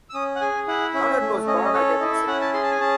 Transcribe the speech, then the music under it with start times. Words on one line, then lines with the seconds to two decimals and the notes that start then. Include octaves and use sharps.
Lonard was born at Epping, Sydney.
0.10 E6
0.14 C#4 D#6
0.36 F#5
0.41 G#4 G#5
0.68 E4 F#5
0.94 C#4 E5
1.21 A3
1.47 C#4 D#5
1.56 C#5
1.65 D#5
1.74 A4 C#5
2.00 E4 D#5
2.15 E5
2.27 C#4 F#5
2.41 A5
2.54 G#4 C6
2.63 A5
2.71 G#5
2.80 C#4 A5